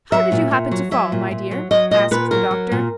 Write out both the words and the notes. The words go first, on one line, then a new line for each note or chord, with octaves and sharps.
"How did you happen to fall, my dear?" asked the doctor.
F#3 E5
A#2
A#2
F#3
F#3 E5
A#2
A#2
F#3
F#3 D#5
A#2 D#5
A#2 B4
F#3 A#4
F#3
A#2